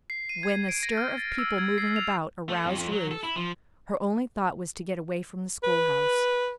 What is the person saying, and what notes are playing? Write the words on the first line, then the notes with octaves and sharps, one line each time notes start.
When the stir of people moving about aroused Ruth, her only thought was to get away from the schoolhouse.
C7
D#7
G#6
D7
A#6
F6
A6
E6
G#6
C7
F7
A3
F2
F2
F#3
A4
E4
F3
B4